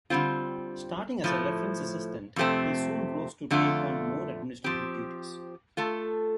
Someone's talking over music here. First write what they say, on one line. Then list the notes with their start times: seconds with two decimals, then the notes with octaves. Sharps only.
Starting as a reference assistant, he soon rose to take on more administrative duties.
0.10 D3 G3 C4 F4
1.24 A2 F3 A3
2.36 F2 C3 A3 C4
3.51 F2 D3 A3 F4
4.64 F3 C4 G4
5.77 A3 F4 A4